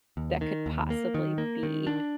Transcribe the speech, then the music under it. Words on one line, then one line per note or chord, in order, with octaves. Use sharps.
that could possibly be"
D#2
D#3
D#2
A#3
D#3
A#3
D#3
D4